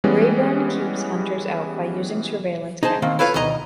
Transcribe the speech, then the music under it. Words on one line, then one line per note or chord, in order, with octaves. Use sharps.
Rayburn keeps hunters out by using surveillance cameras.
E3 G3 G#3 B3 C#4
D#4 G#4 C5 A5
D#3 A#3 C4
E4 F4 A4 B4 C#5 F5
D2 B2 D#3 D#5 A#5